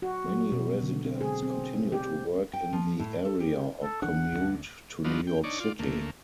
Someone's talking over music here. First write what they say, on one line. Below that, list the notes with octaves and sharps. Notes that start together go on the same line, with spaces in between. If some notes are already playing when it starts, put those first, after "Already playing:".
Many residents continue to work in the area or commute to New York City.
F#4
F#3
B2
D3
C4
G#4
C4
G4
G5
F3
A2
A4
G4
A4
E3 D4 F#5
D2 C4 D4
F#3 B3 D4 D#4 F4
G5
D4 D#4 C#5 D5
F4 D5
D2 A3 A#3